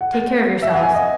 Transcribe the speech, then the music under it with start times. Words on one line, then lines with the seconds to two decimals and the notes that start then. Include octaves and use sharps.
Take care of yourselves.
0.01 F#5
0.62 E5
0.73 F#5
0.83 G#5
0.95 D#5